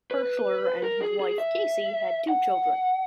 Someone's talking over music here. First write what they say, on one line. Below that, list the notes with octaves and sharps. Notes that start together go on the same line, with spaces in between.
Herschler and his wife, Casey, had two children.
B4
A#4
G#4
G#4
E5
F#5